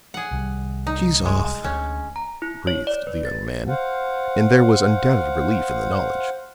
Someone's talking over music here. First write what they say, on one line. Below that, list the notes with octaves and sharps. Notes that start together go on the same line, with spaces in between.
"She's off," breathed the young man, and there was undoubted relief in the knowledge.
G#4 F#5
C2 D#3 G3
D#4
G#3
D2 C#4
A#5
E4
C#5
D5
B4
A6
C5 F5 F#5